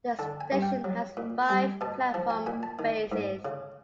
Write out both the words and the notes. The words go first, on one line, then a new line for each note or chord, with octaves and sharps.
The station has five platform faces.
D3 A5
G#5
G2
G5
F#3
A#2
G3 G#5
B2 A5
F3 A5
G#5
A#2 G#5
A5
D#3
G#2
C#3